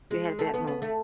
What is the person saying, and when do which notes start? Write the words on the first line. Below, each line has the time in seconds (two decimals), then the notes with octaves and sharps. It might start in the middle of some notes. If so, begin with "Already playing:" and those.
You had that moment.
0.11 G#3
0.39 A3
0.54 B3
0.67 B3
0.82 A3